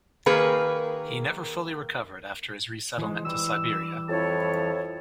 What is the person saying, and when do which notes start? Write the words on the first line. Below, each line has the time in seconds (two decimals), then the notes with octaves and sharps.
He never fully recovered after his resettlement to Siberia.
0.26 D#3 A#3 G#4 B4
2.99 E3 F3 G#3
3.25 E3 G3 E6
4.09 F2 E4 C#5 A5